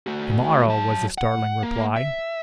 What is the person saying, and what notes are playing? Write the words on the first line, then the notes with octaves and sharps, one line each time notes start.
"To-morrow," was the startling reply.
A3 F#4
F#3 A5
F#5
A#3
E5